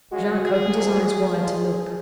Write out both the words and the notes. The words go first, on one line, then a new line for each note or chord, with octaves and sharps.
Jacques opened his eyes wide to look.
C#2 C#3 G#3 F#4
G#4
C2 C3 F3 A#3
G#4
A#2 F3 G#3 G#4